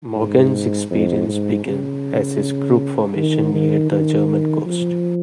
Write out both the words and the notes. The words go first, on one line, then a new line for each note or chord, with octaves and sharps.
Morgan's experience began as his group formation neared the German coast.
G#2
F2
G#2
C#3
D#3
D#3
D#3
F3